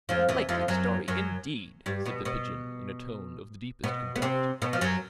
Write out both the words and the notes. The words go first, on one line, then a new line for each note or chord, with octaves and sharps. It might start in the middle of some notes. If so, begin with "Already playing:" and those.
'A likely story indeed!' said the Pigeon in a tone of the deepest contempt.
F2 F3
E2 E3
F2 F3
F#2 F#3
F#2 F#3
G2 G3
B2 B3
B2 B3
B2 B3
B3
C3 C4
B2 B3
F3
F#2 F#3